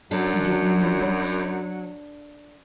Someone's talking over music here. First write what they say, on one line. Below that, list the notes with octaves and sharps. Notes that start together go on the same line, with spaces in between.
"And get me my box?"
F#2 F#3 D4 A4